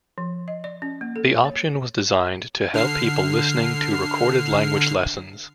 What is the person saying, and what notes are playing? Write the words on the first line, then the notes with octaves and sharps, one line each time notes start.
The option was designed to help people listening to recorded language lessons.
F3
D#5
D5
C#4
A#3
A4
C#5
D3 F6 C7